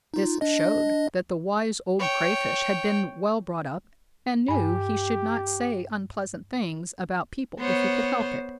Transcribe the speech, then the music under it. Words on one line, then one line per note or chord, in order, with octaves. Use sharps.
This showed that the Wise Old Crayfish had been well brought up, and knew he should not say unpleasant things about people if he could help it.
D#4 F4
D4 D#5
C#5 G5
G2 G4 G#5
B3 C5 C#5